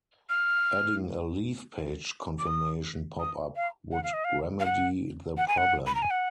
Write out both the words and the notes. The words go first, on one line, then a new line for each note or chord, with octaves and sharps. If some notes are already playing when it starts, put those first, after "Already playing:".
Adding a "leave page" confirmation pop-up would remedy the problem.
F6
D6
D#6
D#6
F5
F#5
F5
D#5
F5
F5
F#5
F#5
G#5
F#5
B5
A#5
G#5
F#5